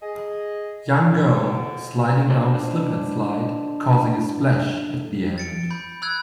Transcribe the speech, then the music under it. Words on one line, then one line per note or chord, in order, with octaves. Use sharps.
Young girl, sliding down a slip and slide causing a splash, at the end.
G#4 D#5
F2 G#2 B2 D3
D3 D4 F4 B4 C5 D#5
A6 C#7 D7
B5 G6
B5 E6 F#6 G#6